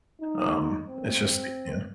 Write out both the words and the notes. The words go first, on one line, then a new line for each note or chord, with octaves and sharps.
um, and it's just i Yeah.
D#4
C4